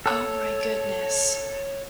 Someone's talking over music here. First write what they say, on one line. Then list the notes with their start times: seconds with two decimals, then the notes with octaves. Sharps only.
Oh my goodness.
0.06 A4 C#5